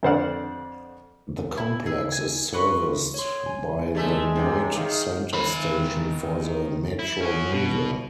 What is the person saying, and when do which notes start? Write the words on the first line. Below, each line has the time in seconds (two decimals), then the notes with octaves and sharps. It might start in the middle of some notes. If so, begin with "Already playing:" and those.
The complex is serviced by the Knight Center station for the Metromover.
0.03 F2 D3 C5 D5 F#5 F6
1.57 E4
1.86 G#4 E5
2.12 G#5
2.53 F#4 B4 C6 C#6
3.14 C#5 C6
3.46 G#5
3.95 E2 G#3 A3 E5
4.36 F#2 C3
4.77 D#3 G#4 F5
5.34 D#3 B5
6.99 E4
7.21 C#4 F#4
7.52 B2